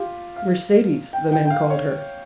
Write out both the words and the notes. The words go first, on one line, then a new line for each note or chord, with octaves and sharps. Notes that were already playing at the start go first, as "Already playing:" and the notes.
"Mercedes" the men called her.
Already playing: F4 G4
F5
G5
G5
G5
F5
C#5